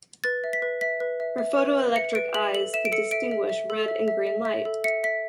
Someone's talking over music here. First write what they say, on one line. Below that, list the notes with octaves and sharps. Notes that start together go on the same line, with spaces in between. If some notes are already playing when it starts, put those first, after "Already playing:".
His photoelectric "eyes" could distinguish red and green light.
B4 A6
E5
B6
B4
E5 B6
B4
E5
E5
B4
B4
E5 C#7
B4 D7
E5 F#7
A4 F#7
E5 E7
D7
A4 C#7
E5 D7
E5
E5
A4
E5
E5
E5
E5
A4
E5 C#7
E5 B6